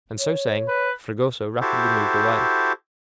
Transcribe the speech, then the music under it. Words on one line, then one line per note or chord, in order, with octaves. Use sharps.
And so saying Fragoso rapidly moved away.
C#5
B4
E4 F#4 G4 A4 C5